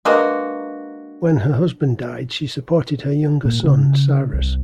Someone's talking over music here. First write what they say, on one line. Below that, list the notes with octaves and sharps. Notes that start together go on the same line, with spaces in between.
When her husband died, she supported her younger son Cyrus.
G#3 A#3 D4 F#4 B4 D#5
A#2
C#3
C2